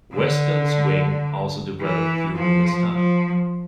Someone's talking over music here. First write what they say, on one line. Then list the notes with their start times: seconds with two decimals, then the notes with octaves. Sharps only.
Western swing also developed during this time.
0.13 D3
1.81 E3
2.36 F3
2.92 F3